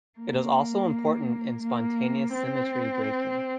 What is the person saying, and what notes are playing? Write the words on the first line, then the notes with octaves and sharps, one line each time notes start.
It is also important in spontaneous symmetry breaking.
A#3
A#3
C4